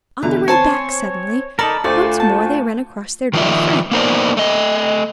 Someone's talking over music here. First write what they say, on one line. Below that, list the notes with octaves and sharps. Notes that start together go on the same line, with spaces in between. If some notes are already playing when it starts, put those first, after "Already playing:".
On their way back, suddenly, once more they ran across their dwarf friend.
B2 D3 E3 A#5
C4 C#5 G#5 A5 C6
D#4 A4 A#4 D5 A5 B5
D2 A3 F4 C5 D5
A5
D#3 F3 D#4 F4 D5 E5
A#3 B3 D#4 A#4 C5 D5
A3 D#5